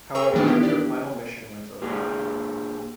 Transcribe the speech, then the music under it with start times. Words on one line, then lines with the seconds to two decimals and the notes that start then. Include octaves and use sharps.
However, their final mission went awry.
0.15 G#4 A#4 G5 C#6 E6
0.33 D#3 E3 F#3 A#3 D4 D#4
0.46 B3 E4 F4 G4
0.63 D4 G4 D5
1.82 A#2 G4 G#4